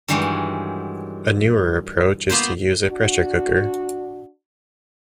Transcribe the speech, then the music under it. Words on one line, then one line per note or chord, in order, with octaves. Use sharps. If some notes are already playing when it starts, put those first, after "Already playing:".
A newer approach is to use a pressure cooker.
G2 D#3 E3 F#3 G#3
A#3 B3 F4 B4 C5
D4 F#4